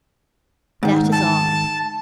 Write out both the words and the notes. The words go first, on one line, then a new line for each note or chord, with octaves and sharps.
That is all.
G#2 D#3
A5